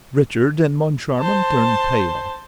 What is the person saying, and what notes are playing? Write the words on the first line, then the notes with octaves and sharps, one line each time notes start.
Richard and Moncharmin turned pale.
C5 A5